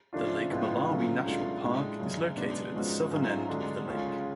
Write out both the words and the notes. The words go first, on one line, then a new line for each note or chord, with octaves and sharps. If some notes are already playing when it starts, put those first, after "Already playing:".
The Lake Malawi National Park is located at the southern end of the lake.
C#3 F3 A3 D4 F4
A2 F3 G#3 B3 F4
D3 F#3 C#4 F4
C#2 B2 A3 D4 F4
A2 G#3 D4
F#2 C#3 G#3
B2 G#3 B3 D4
G#2 F3 G#3 C#4 F#4
G#2 F#3 A3 C#4 F4
D3 G#3 D4 F#4
C#2 C#3 G#3 C#4 F4